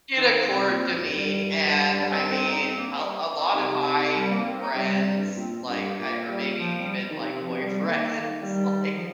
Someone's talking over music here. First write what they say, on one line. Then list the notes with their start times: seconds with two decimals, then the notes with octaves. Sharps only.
did accord to me, and, I mean, a a lot of my friends, like, I or maybe even, like, boyfriends, like,
0.17 D#3 C4
0.48 C3
0.68 A#2
0.88 F2
1.08 G2 G3
1.65 F3
1.70 G3
1.91 G3
2.11 C4
2.31 C4
2.47 D#4
2.62 C4
2.77 A#3
2.92 G3
3.33 C4
3.53 C3 D#4
4.14 G3
4.30 A#3
4.45 C4
4.60 D#4
4.75 C3 G3
4.95 C3
5.16 G2
5.36 A#2 C4
5.67 G2 A#3
5.97 A#2 A#3
6.28 G3
6.58 F3
6.79 G3
7.10 D#3
7.19 C3 C4
7.40 F3
7.50 C3
7.60 G3
7.81 D#3 A#3
8.12 D#3
8.41 D#3 G3
8.96 F3